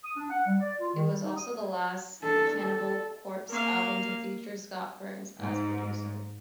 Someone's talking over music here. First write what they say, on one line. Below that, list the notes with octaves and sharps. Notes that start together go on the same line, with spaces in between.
It was also the last Cannibal Corpse album to feature Scott Burns as producer.
D#6
D4
F#5
G3
D5
F4
D#3
G3
D#4
D#6
D4 A4
A4
A#3 F5
G#2